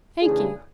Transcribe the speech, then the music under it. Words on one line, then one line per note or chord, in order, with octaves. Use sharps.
Thank you.
C#3 E3 A3 D4 G#4